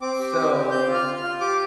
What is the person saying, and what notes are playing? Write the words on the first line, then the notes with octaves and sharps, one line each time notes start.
so, m
C4 D6
G4
C4
G4
C4 G6
F4
F6
F4
F6
F4
G4 D6